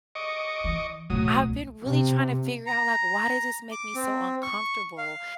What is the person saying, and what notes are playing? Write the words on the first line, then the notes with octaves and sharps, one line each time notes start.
I've been really trying to figure out, like, why does this make me so uncomfortable
D#5 C#6 D6
E3
D1 B1 F#3 D#6
C3
A#5
D6
C4
C#6
F5